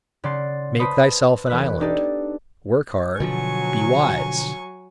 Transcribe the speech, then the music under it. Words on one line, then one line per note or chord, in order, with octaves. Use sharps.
Make thyself an island, work hard, be wise!
C#3 D5 F#5 C6 A6 C7
B4 C5 A5 B5 D#6
E1 B4 F#6
D4 D#4 G4 A4 D5 A5
B2 D3 F3 F#3 G#5 C#6